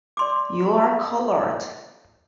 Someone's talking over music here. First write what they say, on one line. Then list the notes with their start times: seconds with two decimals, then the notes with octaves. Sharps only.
You are colored!
0.17 D5 C6 D6